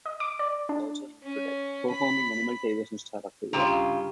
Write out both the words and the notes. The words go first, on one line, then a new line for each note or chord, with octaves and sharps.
A later acronym was also included: Performing Animal Television Star of the Year.
D#5
D6
D5
D4
C#4
B5
G2 C#3 F4 G4 G5 A#5